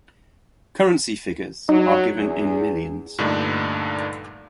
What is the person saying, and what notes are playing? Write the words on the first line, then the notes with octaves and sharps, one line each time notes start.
Currency figures are given in millions.
F#3 D#4
E2 G#4
G2 A#2 D3 A3 D4 D#4